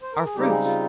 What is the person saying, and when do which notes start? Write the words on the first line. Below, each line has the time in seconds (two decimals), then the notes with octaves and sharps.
Our fruits.
0.02 C5
0.14 A#4
0.25 G#4
0.36 C#3 G3 C4 D#4 G4
0.49 G#3 G#4
0.65 F4